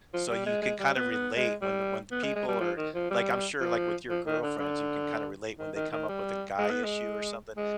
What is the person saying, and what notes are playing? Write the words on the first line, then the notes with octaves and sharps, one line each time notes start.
So you can kind of relate when the when the people are like, I'm sure, like, with your girlfriends, you can kinda relate when they come up with a guy issue or something.
F3
G3
G#3
G#3
G3
B3
B3
G#3
G3
B3
G#3
G#3
G3
F3
D#3
F3
G3
F3
F3
D#3
D3
D3
D#3
D#3
D#3
G3
G#3
B3
G#3
G#3